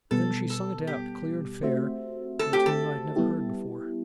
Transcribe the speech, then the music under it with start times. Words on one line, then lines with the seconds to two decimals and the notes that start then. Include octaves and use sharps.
Then she sung it out clear and fair to a tune I had never heard before.
0.11 B2 G3 B3 A4
0.50 A4
0.87 G4
1.63 A3 C4 F#4 C5 E5
2.39 A4
2.53 G4
2.66 A4
3.16 G3 B3 E4 G4